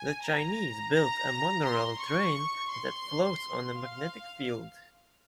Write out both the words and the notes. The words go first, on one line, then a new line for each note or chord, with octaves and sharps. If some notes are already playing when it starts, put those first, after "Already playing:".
The Chinese built a monorail train that floats on a magnetic field.
Already playing: G#5
A#5
A#5
C6
C#6
C6
F5